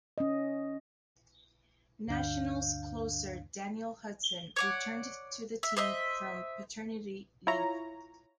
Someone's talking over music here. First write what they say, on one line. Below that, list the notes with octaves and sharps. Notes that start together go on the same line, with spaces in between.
Nationals closer Daniel Hudson returned to the team from paternity leave.
C#4 D#5
D2 G2 D3 D4 F5 G6
C#5 D5 F#5
E5
C5 D#5 E5
E4 F4 C#5 A#5